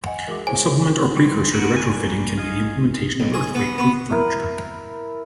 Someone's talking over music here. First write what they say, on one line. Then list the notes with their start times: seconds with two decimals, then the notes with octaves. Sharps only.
A supplement or precursor to retrofitting can be the implementation of earthquake proof furniture.
0.06 D#5 F#5 G#5
0.28 E3 G#3 F#4 A#4 E5 D6
0.47 G#2 E4 G#4 C5 C#5 G#5
1.16 G3 G#3
1.53 F#4 A#4 B4 F#5
1.77 G3 A#3 G#5
2.38 F4 G#4 D#5
3.20 B1
3.34 G#4
3.55 B3
3.78 B3
4.11 E4 A#4